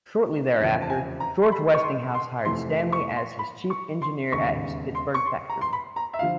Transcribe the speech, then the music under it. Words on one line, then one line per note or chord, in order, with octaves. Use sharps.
Shortly thereafter, George Westinghouse hired Stanley as his chief engineer at his Pittsburgh factory.
F1 E2 C#3 F3
A5
G#5
A#5
C6
B5
C#6
C6
C6
F2 C3 E3 A3 C6
C#6
C6
B5
C#6
C6
E1 D#2 C#3 C#6
C6
C#6
C6
A#5
C6
B5
A#5
E5
D3 F3 F5